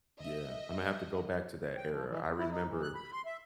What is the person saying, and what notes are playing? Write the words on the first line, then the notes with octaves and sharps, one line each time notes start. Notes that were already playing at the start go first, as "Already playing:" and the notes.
Yeah, Imma have to go back to that era. I remember,
D#5 E5
G5
F3
E3
E2
E4
D#4
E3
F#6
B5
C6
E5